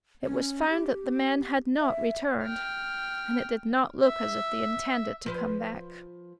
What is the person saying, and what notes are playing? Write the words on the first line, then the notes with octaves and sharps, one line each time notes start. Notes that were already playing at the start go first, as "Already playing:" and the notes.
It was found that the men had not returned, and it did not look as if they intended to come back.
C#4
G4
E5
G5 F6
E5
F3 B4 C5